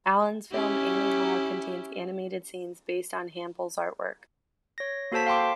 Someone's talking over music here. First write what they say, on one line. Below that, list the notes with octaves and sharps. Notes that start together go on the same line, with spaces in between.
Allen's film "Annie Hall" contains animated scenes based on Hample's artwork.
C#4 E4 G4
C#5 A#6
A#3 F#4 A4 C5 A5 B6
F5 G5 C6 D6